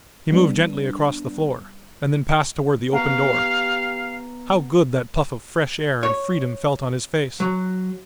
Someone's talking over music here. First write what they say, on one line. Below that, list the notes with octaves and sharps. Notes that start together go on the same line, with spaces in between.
He moved gently across the floor, and then passed toward the open door. How good that puff of fresh air and freedom felt on his face!
G3 B3 D4
B3 G4 F5 F#5 A#5
C#5
F#3